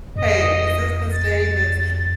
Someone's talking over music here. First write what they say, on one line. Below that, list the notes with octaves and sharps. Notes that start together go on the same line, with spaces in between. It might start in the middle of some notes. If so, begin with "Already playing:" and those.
"Hey, is this Ms. Davis?"
F2 D#5
A6